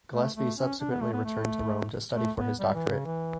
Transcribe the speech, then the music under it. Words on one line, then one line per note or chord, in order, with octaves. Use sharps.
Gillespie subsequently returned to Rome to study for his doctorate.
A3
A3
C#4
D4
B3
A3
B3
A3
A3
B3
G3
E3
C#3
E3